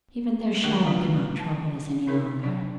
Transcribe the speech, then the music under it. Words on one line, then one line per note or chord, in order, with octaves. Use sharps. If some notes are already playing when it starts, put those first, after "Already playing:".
Even their shadow cannot trouble us any longer.
D#3 G#3 A3 D4 G4 A#4
F#3 G3 F4 B4 D5
A5
C#4 D#4 G#4 A#4 C#5
F#3 D4 D5